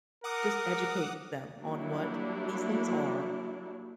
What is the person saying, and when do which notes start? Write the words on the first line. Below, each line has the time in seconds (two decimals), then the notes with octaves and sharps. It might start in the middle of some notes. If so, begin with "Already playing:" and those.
just educate them on what these things are,
0.24 A#4 F#5 D6 D#6
1.60 F#3 G3 A#3 D4 E4